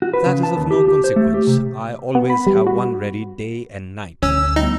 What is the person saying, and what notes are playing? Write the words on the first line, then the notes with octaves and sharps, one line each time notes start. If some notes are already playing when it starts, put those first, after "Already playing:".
"That is of no consequence; I always have one ready, day and night."
F#4
B4
C#3
A5
D#2
G4
G4
C5
A3
G4
C3
B3
B5
G3
F#4
D2 C#4 E6
G3 A3 B3 D#4